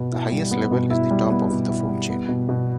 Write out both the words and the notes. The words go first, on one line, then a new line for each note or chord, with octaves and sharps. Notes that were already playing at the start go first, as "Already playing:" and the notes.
The highest level is the top of the food chain.
Already playing: B2 B3
E4
G3
B3
B2
E4
G3
B3
B2
E4
G3
B3
B2
B2